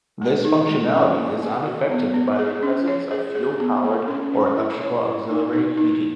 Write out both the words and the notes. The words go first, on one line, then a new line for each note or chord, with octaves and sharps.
This functionality is unaffected by the presence of fuel-powered or electrical auxiliary heating.
G#3
D#4
G#3
C#4
A#3
A#3
F#4
B3
B3
G#4
C#4
C#5
G#4
G#4
B3
A#3
C#4
C#4
E4
C#5
E4
D#4
D#4
D#4